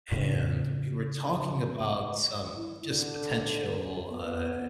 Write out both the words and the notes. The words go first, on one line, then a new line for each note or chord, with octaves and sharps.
and we were talking about some just potential, uh,
A2 C#3
E4
D3
B3